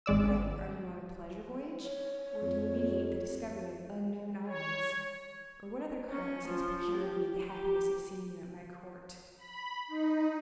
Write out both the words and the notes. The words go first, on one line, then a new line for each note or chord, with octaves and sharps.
"Pray, are you on a pleasure voyage?--Or do you meditate the discovery of unknown islands?--or what other cause has procured me the happiness of seeing you at my court?"
G#1 G#3 D5 E6
C#5
F2
C#5
C#4
F3
G4
G4
B5
D#4